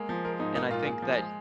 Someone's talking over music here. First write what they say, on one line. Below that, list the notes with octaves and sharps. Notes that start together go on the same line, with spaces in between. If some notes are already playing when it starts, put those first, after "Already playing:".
And, I think that
Already playing: G#3 A#3
F3
G#3 A#4
G#2 D#4
A#3 D#4
A#2 F4
A#3 G#4
F3
G#3